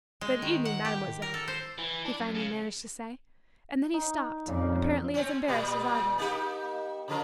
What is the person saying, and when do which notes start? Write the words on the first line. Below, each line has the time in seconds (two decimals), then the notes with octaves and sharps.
"Good evening, mademoiselle," he finally managed to say, and then he stopped, apparently as embarrassed as I was.
0.21 G#3
0.42 D#3
0.65 F#5
0.85 G4
1.22 A#4
1.34 A4
1.48 C5
1.78 E3
2.05 D4
2.19 F#2
2.35 C#3
3.94 D#4
4.47 F2 A#2 C#3 A#3
5.14 C4 C#4
5.48 A#2 G3 B3
6.18 A#3 D#4 G4
7.08 C#3 F3 A#4